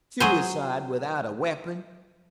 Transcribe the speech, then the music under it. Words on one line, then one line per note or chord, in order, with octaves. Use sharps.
Suicide without a weapon!
F#3 G#4 C5